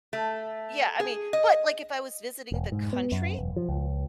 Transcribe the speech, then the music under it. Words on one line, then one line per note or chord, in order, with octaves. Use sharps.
Yeah, I mean but, like, if I was visiting the country,
A3
G#4
D#5
E1
G#2
B3
F#2
E1
F3
C#2